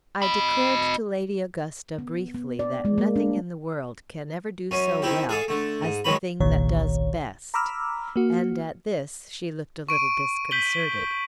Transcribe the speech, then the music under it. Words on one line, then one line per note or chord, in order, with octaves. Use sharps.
I declared to Lady Augusta briefly that nothing in the world can ever do so well as the thing that does best; and at this she looked a little disconcerted.
D#5 B5
B3
B3
D5
G#3
A#3
D4
F#2 C#4
D#3 C4 E4 G4
G#4 A4 F5
D3 A3
G#2
D#3 F#3 G#3 C#4 B5
G1 C2 A#2 D#3 C#5
A#5 B5 D6 E6 F6
A#3 F#4
C#6 D7 D#7
G6 B6 F#7 G7